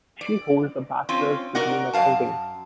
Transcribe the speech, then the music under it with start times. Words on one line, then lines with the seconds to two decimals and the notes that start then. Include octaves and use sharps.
She holds a bachelor's degree in accounting.
0.21 D5
1.09 C4 C#4 F4
1.55 F#4 A#4 D5 D#5 F#5
1.93 F#2 F5 A5